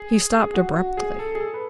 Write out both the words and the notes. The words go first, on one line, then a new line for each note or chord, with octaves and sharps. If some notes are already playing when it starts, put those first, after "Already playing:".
He stopped abruptly.
Already playing: G#4
G#4
F#4
F#4
G#4
A4
G#4
A4
B4